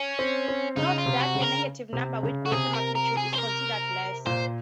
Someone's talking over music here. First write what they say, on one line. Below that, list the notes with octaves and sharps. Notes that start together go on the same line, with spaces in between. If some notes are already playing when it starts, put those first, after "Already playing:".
Note that a negative number with greater magnitude is considered less.
Already playing: C#4
C4
C4
C#3 D#4
F4
C3
F#4
C#3
A#4
C3
C#3
F#4
C3 G#4
A#4
A#4
G#4
C5
A#4
A#2 C5